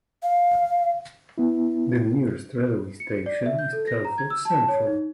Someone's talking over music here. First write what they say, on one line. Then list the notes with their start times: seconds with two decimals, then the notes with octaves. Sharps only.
The nearest railway station is Telford Central.
0.23 F5
1.38 B3 E4
3.00 C#7
3.26 D5
3.46 E5
3.59 G6
3.73 A4
3.87 A#6
4.05 A#5
4.18 G#6
4.30 E6
4.45 A5
4.68 C#5
4.87 D#4